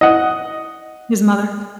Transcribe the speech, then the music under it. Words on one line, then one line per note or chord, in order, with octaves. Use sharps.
His mother.
D#5 F#5